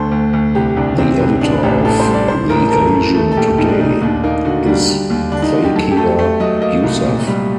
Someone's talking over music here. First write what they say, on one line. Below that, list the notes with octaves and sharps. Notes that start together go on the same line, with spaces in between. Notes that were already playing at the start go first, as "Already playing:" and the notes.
The editor of "The Asian Today" is Zakia Yousaf.
Already playing: D2 D3 A4 C5
D2
D2
C2 G4
C2 D4
C2 C4
C2
A1 D4
A1 G4
A1 A4
C5
G3
D5
A2 C5
A1 A#4
A4
A1 A#4
A2
A3 A4
A4
A#1 G4
A#1 D#4
D4
A#1 D#4
D#4
D#2 D4
A#3 D#4
D3 F#4
G3 D4
D3
D#2
D3 D4
D#4
D3 F#4
G4
F#3 A4
G4
A3 A4
A3
F#3 D#5
A#3 D#5
C2
A#2
G3